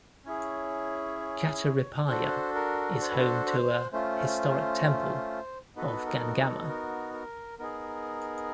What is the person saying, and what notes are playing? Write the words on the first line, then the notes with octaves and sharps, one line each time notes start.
Kataripalya is home to a historic temple of Gangamma.
C#4 E4 G#4 C#5
D4 F#4 A4 C5
A#4
C5
B4
C5
C5
A3 C#4 F4 C5
B3 D#4 F#4 A4 B4
A#4
A4
A#4
A#4
B3 D#4 G#4 A#4